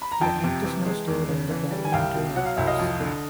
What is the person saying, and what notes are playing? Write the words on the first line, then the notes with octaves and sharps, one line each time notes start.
The Act is now stored in the Parliamentary Archives.
B5
A#5
F2 G5 A5
C3
E3
G#3
E2
C#3
E3
G3
G#5
C2 F5 G5
B2
F#3 F#5
F5
C2 E5
D#5 F5
F2
D3